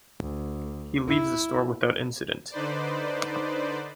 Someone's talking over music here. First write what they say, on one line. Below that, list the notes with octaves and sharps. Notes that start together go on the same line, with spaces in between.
He leaves the store without incident.
D2
E4
D3 D#4 B4 C5 D5